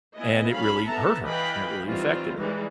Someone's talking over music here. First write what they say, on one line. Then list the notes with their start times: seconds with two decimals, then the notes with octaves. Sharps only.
and it really hurt her, and it really affected her,
0.16 B3 E4 D#5 G#5
0.51 F#3 C#4 A4 F5 B5
0.86 B3 A4 E5 A5 A#5
1.23 E3 B4 D#5 F5 G5 B5
1.86 D#3 E3 G3 C4 F4
2.38 E3 G3 G#3 D#4